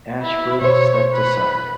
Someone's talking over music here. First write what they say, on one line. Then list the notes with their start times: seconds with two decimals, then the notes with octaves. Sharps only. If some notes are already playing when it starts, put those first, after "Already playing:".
Ashworth stepped aside.
0.22 E4
0.62 B2 C5 C#5
1.13 B4